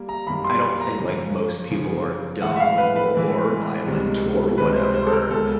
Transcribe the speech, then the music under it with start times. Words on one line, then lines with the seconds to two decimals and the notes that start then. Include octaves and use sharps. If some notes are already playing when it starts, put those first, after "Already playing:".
I don't think, like, most people are dumb or violent or whatever,
Already playing: G3 A#3
0.09 A#5
0.27 F#2 D#3 G3 A#3 B5
0.44 C6
0.62 B5
0.81 A#5
0.99 F#2 C#3 F3
1.70 F#2 C#3 F3
2.42 A2 E3 G#3 F#5
2.56 E5
2.60 F5
2.78 B4
2.96 B4
3.14 A2 E3 G#3
3.86 C#2 C3 D#3 G3
4.58 C#2 C3 D#3 G3 B4
4.76 C5
4.94 C5
5.07 A4
5.12 A#4
5.30 C#2 B2 G#3 A4